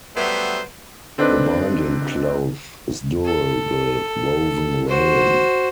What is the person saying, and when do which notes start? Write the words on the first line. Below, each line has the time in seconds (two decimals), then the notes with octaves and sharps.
The binding cloth is durable woven rayon.
0.16 F#3 G3 A3 B3 C5 E5
1.18 D3 C4 D4 D#4 B4
3.24 A4
4.88 F#4 C5